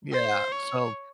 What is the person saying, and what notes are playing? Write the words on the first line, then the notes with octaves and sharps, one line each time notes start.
Yeah, so
C5
C#5